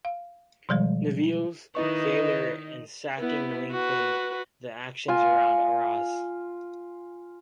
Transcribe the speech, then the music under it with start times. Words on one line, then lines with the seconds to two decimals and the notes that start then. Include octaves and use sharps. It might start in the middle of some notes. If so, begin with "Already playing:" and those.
Nivelle's failure and sacking lengthened the actions around Arras.
0.05 F5
0.69 B2 D#3 F3 G3 G#3
1.75 D#3 D#4 E4 B4 D#5 C#6
3.18 B3 E4
3.71 F#4 B4
5.08 F4 G#5